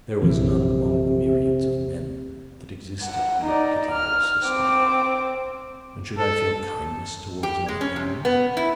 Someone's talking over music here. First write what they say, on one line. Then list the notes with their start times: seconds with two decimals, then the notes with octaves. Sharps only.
There was none among the myriads of men that existed who would pity or assist me; and should I feel kindness towards my enemies?
0.22 A#1 C3 E3
3.03 F#5
3.44 D#4 D5
3.91 F6
4.47 C4 D6
6.18 A4
7.43 G4
7.68 G#3
7.81 C#4
7.96 C3
8.25 B3
8.57 E4